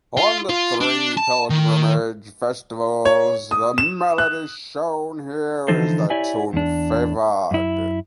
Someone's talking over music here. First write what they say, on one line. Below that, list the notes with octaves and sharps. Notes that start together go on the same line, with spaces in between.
On the three pilgrimage festivals, the melody shown here is the tune favored.
F4
F4
D4
A5
D#3
C#5
D#6
E7
F#6
D3 E3 F3 D#4 A4 C5
E4 G4 C#5 D5 E5 G#5
E2 D4
F#2 E4